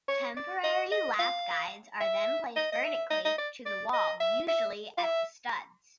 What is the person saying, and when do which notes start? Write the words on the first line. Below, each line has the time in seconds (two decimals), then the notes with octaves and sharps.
Temporary lath guides are then placed vertically to the wall, usually at the studs.
0.08 C#5
0.37 D5
0.64 D#5
0.92 D#5
1.19 F5
2.01 E5
2.56 D#5
2.72 D#5
2.84 E5
3.10 D#5
3.25 D#5
3.38 D5
3.66 D5
3.93 D#5
4.20 E5
4.48 E5
4.97 F5
5.03 E5